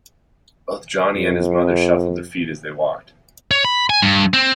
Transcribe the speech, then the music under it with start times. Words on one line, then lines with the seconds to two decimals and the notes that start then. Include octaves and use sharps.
Both Johnny and his mother shuffled their feet as they walked.
1.17 F2
3.51 C#5
3.65 B5
3.90 G#5
4.02 G2
4.34 C4